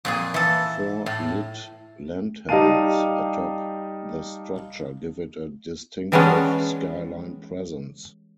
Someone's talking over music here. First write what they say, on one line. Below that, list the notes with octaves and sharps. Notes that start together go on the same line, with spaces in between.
Four lit "lanterns" atop the structure give it a distinctive skyline presence.
F2 A#2 G#4
E3 A4
A2
G3 D#4 G4 F5 A5 D#7
E3 G3 G#3 B3 C#4 D4